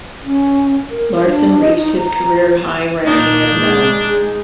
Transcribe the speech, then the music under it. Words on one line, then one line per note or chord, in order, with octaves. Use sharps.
Larsson reached his career high ranking of no.
C#4
A#4
D4
D#5
D#4
A#5
A#2 A#3 D4 D#4
G#3